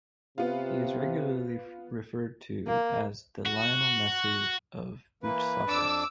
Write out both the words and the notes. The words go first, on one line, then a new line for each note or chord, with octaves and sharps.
He is regularly referred to as the "Lionel Messi of beach soccer".
C3 B3 F4
A#3
F#4
E3 A#3 B4
F2 D4 A5 D6 E6